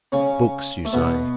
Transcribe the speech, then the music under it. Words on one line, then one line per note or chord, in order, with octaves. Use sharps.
"Books," you say.
C#3 C#4
A3
B2 B3